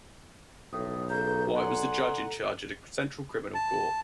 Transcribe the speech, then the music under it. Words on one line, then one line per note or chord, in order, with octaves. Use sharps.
White was the Judge in Charge of the Central Criminal Court.
B1 A2 D#6
C#2 C#3 A4 A#5 G6
G#4 D5 F#5 C6
A5